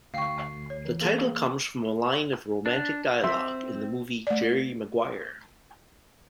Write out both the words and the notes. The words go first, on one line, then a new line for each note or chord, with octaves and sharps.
The title comes from a line of romantic dialogue in the movie "Jerry Maguire".
D2 F5 G5 C#6 C7
C#5
E3
A#3 G#4
D4
F#3 C4 E5 C6
A3 D5